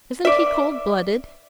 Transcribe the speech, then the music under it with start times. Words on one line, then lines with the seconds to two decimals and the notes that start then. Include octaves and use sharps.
Isn't he cold-blooded?
0.25 D5 E5